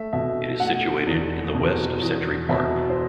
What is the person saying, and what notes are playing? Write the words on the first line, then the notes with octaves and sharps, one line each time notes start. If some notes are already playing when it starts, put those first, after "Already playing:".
It is situated in the west of Century Park.
Already playing: A3 E5
B2 E5
A3 F#5
E2
B2
E2
B2 E5
C5